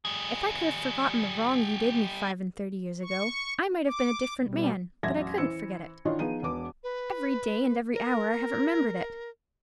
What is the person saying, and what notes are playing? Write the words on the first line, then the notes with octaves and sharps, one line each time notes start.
If I could have forgotten the wrong you did me five-and-thirty years ago, I might have been a different man: but I couldn't forget it. Every day and every hour I have remembered it.
G3 G#4
C#6
D6
B2 G3
E1 A1 F#3 E5 G#6 A#6
E3 C5 E6 C#7
D#3 E3 D4 F4 C#5 D#5
F3 B3 D#4 G#4 D#7
E1 B3 D6
B4
A#4